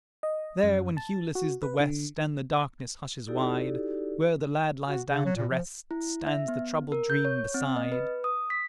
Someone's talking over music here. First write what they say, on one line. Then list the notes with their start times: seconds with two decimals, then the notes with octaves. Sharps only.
There, when hueless is the west And the darkness hushes wide, Where the lad lies down to rest Stands the troubled dream beside.
0.23 D#5
0.63 F#2
0.97 A5
1.35 F#4
1.63 B4
1.80 D3
3.28 D#4 E4 F#4 G4 A4 D5
4.88 F#4
5.09 C#3
5.25 F#3
5.36 A#2
5.51 F3
5.91 E4
6.27 E5
6.48 B3
6.92 A#4
7.10 G6
7.25 C#5
7.54 C4
7.76 D#5
7.92 B4
8.24 D#6
8.50 B6